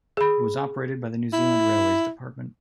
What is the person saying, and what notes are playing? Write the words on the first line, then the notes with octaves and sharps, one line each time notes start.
It was operated by the New Zealand Railways Department.
G#4 B5
E4